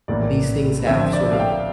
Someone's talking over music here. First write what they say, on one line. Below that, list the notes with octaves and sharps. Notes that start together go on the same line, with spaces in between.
These things have sort of,
A#1 A2 E3 A#3 D5
D2 D3 F3 C4 E5
D5
F5
G5